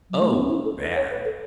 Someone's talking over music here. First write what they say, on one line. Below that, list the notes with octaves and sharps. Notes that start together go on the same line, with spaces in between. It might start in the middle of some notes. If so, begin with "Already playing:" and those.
"Oh! Bad!"
F#3
A3
B3
C#4
E4
A4
B4
C#5
B4
A4